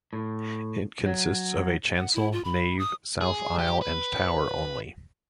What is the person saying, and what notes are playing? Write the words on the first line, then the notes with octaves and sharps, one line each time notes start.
It consists of a chancel, nave, south aisle and tower only.
A2
F#3
F#5
E4
F4
B5
D#6
G#4
G4
B4